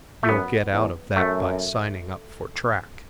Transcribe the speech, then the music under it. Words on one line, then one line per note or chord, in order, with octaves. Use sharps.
You'll get out of that by signing up for track.
A3
F#2 B3
E2
F#2 A3